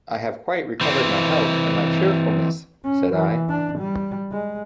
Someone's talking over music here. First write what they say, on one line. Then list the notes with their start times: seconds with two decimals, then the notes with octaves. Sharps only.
"I have quite recovered my health and my cheerfulness," said I.
0.81 E3 C4
2.84 C#4
3.14 E3
3.49 D4
3.79 G3
4.32 G#3